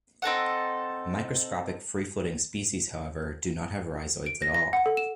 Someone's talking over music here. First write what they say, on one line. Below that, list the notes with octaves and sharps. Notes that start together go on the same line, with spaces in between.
Microscopic free-floating species, however, do not have rhizoids at all.
C4 D#4 A4 F#5
D7
A#6
A#6
F#5
A4
E7